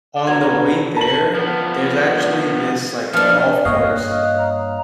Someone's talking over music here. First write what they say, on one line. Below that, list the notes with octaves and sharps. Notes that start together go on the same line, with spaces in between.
on the way there, there's actually this, like, golf course,
D5
D3 F#3 B3 A#5 G#6
A5 F#7
F3 B3
G2 D#3 F3 A#3 D4 F6
G2 A#3 C#5 D#5 F5 D#6 F#6
A#5